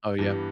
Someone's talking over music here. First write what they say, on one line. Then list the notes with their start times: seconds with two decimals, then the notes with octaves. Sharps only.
Oh, yeah.
0.18 G2 E3 G3 B3 G4